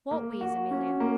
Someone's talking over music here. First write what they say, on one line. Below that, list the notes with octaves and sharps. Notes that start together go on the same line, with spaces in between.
"What ways, Amelia?"
A#3
F#4
C#4
A#3